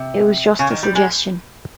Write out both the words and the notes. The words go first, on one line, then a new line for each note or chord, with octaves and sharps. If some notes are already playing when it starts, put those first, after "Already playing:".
It was just a suggestion.
Already playing: C3
C#3
D#3
G3
G#3